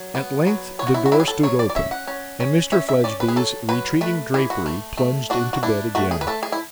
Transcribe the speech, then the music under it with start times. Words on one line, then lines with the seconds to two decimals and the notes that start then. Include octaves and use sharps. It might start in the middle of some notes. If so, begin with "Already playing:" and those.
At length the door stood open, and Mr Fledgeby's retreating drapery plunged into bed again.
Already playing: F#3
0.15 B3
0.47 F#3
0.79 B3 C#5
0.87 F#4
0.94 E4
1.06 F#4
1.11 F#3 E4
1.20 G#4
1.28 A4
1.43 F#3 C#5
1.59 D5
1.70 D5
1.75 C#4 E5
1.91 F#5
2.07 C#4
2.40 C#4
2.72 C#4 E5
2.89 E5
3.04 C#4 D5
3.20 B4
3.28 G#4
3.36 F#3 A4
3.69 F#3 B4
4.01 A3 B4
4.34 E3 G#4
4.50 F#4
4.66 A3
4.97 A3
5.30 D4 F#4
5.53 F#4
5.63 D4 E4
5.95 A3 F#4
6.11 G#4
6.21 B4
6.27 A3 A4
6.43 G#4
6.52 E4